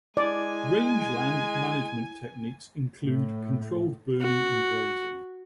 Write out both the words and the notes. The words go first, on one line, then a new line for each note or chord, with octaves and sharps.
Rangeland management techniques include controlled burning and grazing.
G#3 E4 D5 G#5
A2
F#4